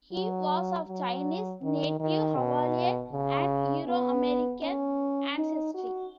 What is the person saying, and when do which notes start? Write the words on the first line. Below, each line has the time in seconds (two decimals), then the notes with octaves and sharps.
He was of Chinese, Native Hawaiian, and Euro-American ancestry.
0.13 F#3
0.88 F#3
1.63 D#3
2.00 D#3
2.37 B2
3.12 C#3
3.87 B3
4.62 C#4
5.37 D#4
5.74 F#4